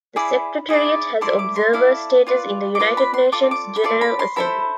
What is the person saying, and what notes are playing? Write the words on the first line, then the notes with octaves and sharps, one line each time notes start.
The Secretariat has observer status in the United Nations General Assembly.
E4 G#4 D5 B5
E4 G#4 D5
E4 A4 D5 C6
D6
C6
E4 A4 D5 F5
F4 B4 D5
D6
F4 B4 D5 C6
B5
C6
F4 A4 D5 D6
D6
B5
F4 A4 D5 C6
B5
C6
E4 A4 C5 B5